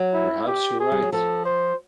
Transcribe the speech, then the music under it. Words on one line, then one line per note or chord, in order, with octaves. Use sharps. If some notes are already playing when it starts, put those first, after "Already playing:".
Perhaps you're right.
Already playing: F#3
E4
G4
G#4
G3
F#3
F3 A4
C5